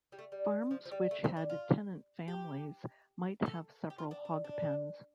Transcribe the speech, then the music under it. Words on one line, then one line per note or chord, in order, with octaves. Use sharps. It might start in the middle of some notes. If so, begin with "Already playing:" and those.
Farms which had tenant families might have several hog pens.
G3
A3
G3
F3
F3
G3
A3
C4
D4
F4
G4
A4
G4
F4
D4
D4
D4